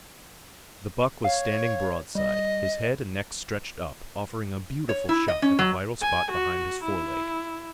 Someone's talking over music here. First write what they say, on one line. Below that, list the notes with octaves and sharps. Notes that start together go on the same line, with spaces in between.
The buck was standing broadside, his head and neck stretched up, offering a beautiful shot at the vital spot behind his fore leg.
C#5 F5
G3 D#5
C#5
E4
D#5
C#4
F#3
G#5
F#4
E4